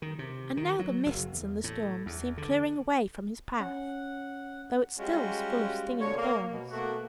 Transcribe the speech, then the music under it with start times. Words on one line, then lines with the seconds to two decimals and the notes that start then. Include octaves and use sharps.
And now the mists and the storms seemed clearing away from his path, though it still was full of stinging thorns.
0.02 D#3
0.19 C3
0.57 D#3
0.79 F#3
1.06 F#1
1.32 E2
1.64 A2
2.06 E2
2.38 D3
3.60 C#4 F#5
4.99 G3 G#3 C#4 F4 F#4
6.01 B2 D3 C#5
6.17 A#3
6.51 B2
6.70 B2 A3 A#3 F#4